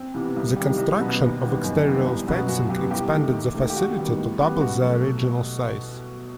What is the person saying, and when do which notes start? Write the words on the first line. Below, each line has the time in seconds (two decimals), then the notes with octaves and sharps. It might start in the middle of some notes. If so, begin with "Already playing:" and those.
The construction of exterior fencing expanded the facility to double the original size.
Already playing: C4
0.14 C3 E3 B3
0.36 C2
0.56 C3 D#3 G3
0.78 C2
1.00 B2 F#3 B3
1.20 D#2
1.42 D#3 G3 B3
1.63 F#2 D#4
1.85 D#3 G3 B3
2.06 C2
2.27 B2 F#3 B3
2.48 F#2 F#4
2.69 F#3 B3 G4
2.91 C2 G4
3.12 C3 D#3 A3
3.33 D#2
3.54 D#3 A3
3.70 G4
3.76 D#2 F#4
3.97 D#3 G3 B3
4.18 A2
4.39 G3 B3
4.61 B2 F#4
4.81 F#3 A3